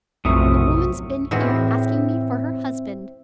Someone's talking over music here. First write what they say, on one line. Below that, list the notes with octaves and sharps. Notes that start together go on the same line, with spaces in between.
A woman's been here asking me for her husband.
B1 F#2 A2 C3 F3 E5 C#6 D#6
A2 E3 G#3 C4 F#4 C5 E5